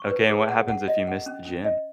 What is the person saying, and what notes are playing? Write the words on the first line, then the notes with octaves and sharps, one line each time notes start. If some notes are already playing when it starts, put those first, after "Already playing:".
Okay, and what happens if you miss the gym?
Already playing: C#6
B4
G#4
F#5
F#5
D#5
F#5
C#4
C#4
D#5